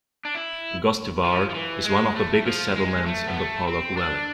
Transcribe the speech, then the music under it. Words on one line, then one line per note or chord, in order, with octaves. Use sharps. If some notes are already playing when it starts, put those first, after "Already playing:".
Gostivar is one of the biggest settlements in the Polog valley.
D4
E4
F3
F3
E3
G#3
A3
F3
G#3
A3
B3
A3
C4
D4